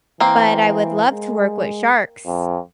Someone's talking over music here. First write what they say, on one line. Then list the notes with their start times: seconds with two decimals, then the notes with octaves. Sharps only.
But I would love to work with sharks
0.20 E3 A#3 C4
1.10 G#3
2.26 F2